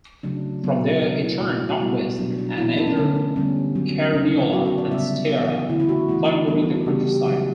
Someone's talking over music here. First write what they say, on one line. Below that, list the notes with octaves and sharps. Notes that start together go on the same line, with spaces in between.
From there he turned northwest and entered Carniola and Styria, plundering the countryside.
C#3 F#3 A3 D4
C#3 F#3 B3
B2 D4
A3
E4
B2 A3 F#4
F#4
B2 G3 B3 E4
B2 F#3 B3 D4
D4
E3 B3 E4
A4
C#4
D3 A3 D4
D4
D3 G3 B3 C#4
D3 F#3 B3
D4
C#4
C#3 F#3 A3 C#4
C#4
D4
E4
D3 F#3 B3 F#4
A4
D5
C#3 G3 B3 E5
E3 B3
D3 A3 E4
E4
F#4
E3 A3 E4
D4
E3 G3 B3 D4
D4
F#4
C#3 G3 B3 G4
G4
C#3 F#3 A3